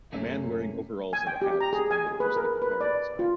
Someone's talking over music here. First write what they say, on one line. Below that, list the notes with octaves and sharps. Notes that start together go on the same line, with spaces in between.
A man wearing overalls and a hat is playing acoustic guitar outside.
F#2 C3 A3 A#3 C#4
G#5
G5
G4
A#5
G#4
G#5
G#4
B4
A#4
B4
D5
F4